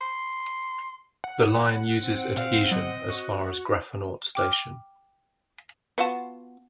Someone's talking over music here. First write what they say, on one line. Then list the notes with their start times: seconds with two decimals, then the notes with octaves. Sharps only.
The line uses adhesion as far as Grafenort station.
0.01 C6
1.24 F#5
2.04 C4
2.37 A#2 F5
2.71 F#3 D#5
3.10 F#4
4.35 G5 D6 F6
5.98 B3 F4 F#4 F#5 A5